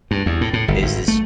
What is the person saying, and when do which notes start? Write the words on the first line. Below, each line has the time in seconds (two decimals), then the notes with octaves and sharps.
is this
0.11 G2
0.26 E2
0.41 A2
0.53 A2
0.68 G1
0.82 G#1
1.08 A3